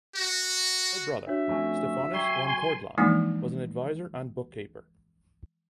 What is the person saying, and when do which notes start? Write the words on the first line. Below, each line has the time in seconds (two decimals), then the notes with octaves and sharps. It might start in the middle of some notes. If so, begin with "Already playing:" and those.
Her brother Stephanus van Cortlandt was an advisor and bookkeeper.
0.15 F#4
1.27 D4 F#4 C#5 E5
1.48 F2 A3 C#4
2.14 F#3 G5 G#5 C6 C#6 C7
2.98 E3 F3 G#3 A#3 D4 D#4